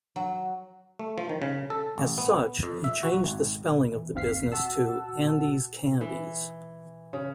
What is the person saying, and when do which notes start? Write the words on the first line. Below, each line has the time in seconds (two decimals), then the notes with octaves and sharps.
As such, he changed the spelling of the business to "Andes Candies".
0.16 F#3
0.99 A3
1.18 F3
1.29 D#3
1.42 C#3
1.70 A4
1.98 A1
2.18 B3
2.63 F2
2.84 E5
3.03 F#4
3.24 G#1
3.92 E3
4.14 G1 D#2 C4 F5 B6 C7
4.52 F#4 F#5 A5 E6
6.01 E3
7.13 C#3